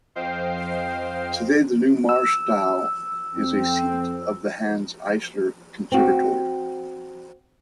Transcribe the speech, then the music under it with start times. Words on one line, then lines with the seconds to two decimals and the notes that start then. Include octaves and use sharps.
Today the New "Marstall" is a seat of the Hanns Eisler Conservatory.
0.15 F2 C5 D#5 F5 G5 C7
2.09 E6
3.34 F2 C4
5.92 C4 F#4